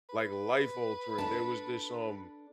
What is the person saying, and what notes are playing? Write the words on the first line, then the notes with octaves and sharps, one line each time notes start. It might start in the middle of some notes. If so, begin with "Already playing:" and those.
like, life altering, there was this, um
B4
D4 A4 A5